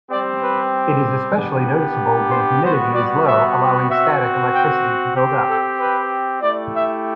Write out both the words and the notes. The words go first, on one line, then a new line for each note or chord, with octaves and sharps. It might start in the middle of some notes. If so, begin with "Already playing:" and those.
It is especially noticeable when humidity is low, allowing static electricity to build up.
G3 C4 G4 D5
B4
B3 D4 G4
C5
G3 B3 F#4 C5
D5
E5
C4 F#4 E5
G5
F#5
C4 G4
A4
B4
A3 E4 G4 D5
E5